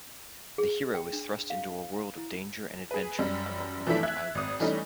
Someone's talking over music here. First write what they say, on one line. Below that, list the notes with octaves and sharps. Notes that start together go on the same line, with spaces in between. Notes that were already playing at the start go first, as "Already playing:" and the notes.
The hero is thrust into a world of danger and adventure among remote islands.
G#4
G5
D4
F5
E4
G#4 B4
F#2 G3
E3 F3 A3 D4 E4 B6
E5 F#6 G#6
G#1 D#6
E3 G3 A3 C#4 D#4